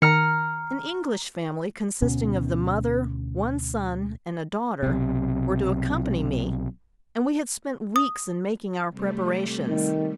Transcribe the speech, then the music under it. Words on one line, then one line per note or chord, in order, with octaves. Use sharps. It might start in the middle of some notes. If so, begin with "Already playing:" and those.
An English family consisting of the mother, one son and a daughter were to accompany me, and we had spent weeks in making our preparations.
D#3 A#5 F6 C#7
D2 B2 B3 C#4
B1 C3
D#6
C3 G3 A3
D#3